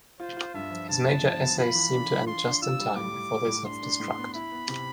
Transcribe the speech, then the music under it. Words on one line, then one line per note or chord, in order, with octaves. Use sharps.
"His major essays seem to end just in time, before they self-destruct".
F4 C5
F4
G2 E5
F3
G2 A5
B3
F3
B3
F4 B5
E3
D4
D4
F4 C6
D4
F4 E6
G3
A2 D6
G3
G3
A2
D4 C6
D4
A2
B3
E4 B5
B3
C3